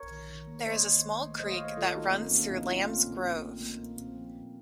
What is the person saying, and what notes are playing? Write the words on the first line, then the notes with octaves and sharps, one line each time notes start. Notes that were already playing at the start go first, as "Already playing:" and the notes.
There is a small creek that runs though Lambs Grove.
Already playing: A#4 C#5
D#3
D#3
A#3
C#5
A#3 C5 D#5
D#3
D#3
A3
A3 C5 D#5
C#5 F5
D#3
C5 D#5
D#3 F4 A4
A3 D#4 F#4
A#3
A3 C4
A#3 C#4
D#3
A#3 C#4
A#2 C4 D#4
C#4 F4
A3
A#3 C#4
A3 C4 D#4
A#3
A#2
A#3
A#2
A3
A3 A#3
A#2
A#2 C4
F3
A#2